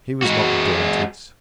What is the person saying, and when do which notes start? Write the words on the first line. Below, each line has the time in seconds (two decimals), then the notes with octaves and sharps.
He was not daunted.
0.23 G#3 F#4